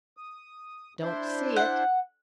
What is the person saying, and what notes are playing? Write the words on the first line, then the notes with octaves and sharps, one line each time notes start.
'Don't see it.
D#6
D4 E4 C5
F#5